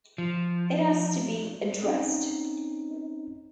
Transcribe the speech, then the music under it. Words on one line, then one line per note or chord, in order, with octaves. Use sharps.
It has to be addressed.
F3
C4 C#4 D#4